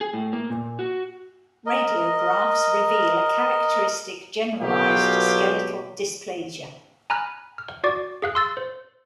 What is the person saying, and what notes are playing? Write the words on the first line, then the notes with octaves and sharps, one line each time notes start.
Radiographs reveal a characteristic generalised skeletal dysplasia.
G#4
A2
A#3
A#2
F#4
A#4 D#5
B1 B2 F#3 A#3 F4 G4
G#5 A#5 B5 F6 F#6
F6
F#4 D5 D6
G#4 F5 F#6
C6 E6 A6
C5